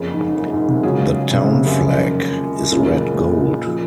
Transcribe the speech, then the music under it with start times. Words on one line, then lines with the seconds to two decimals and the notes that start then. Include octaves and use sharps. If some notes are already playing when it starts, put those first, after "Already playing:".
The town flag is red-gold.
Already playing: F#1 F2 C#3
0.14 G#2
0.37 F#2
0.53 G#2
0.68 C3
0.83 G#2 C#3 F#3 C#4 F4 G#4
1.31 C3
1.43 C#3
1.55 C3
1.66 F#2
1.77 F#1 F2 D#3
2.71 F#1 F#2 A#2 C#3
3.67 F3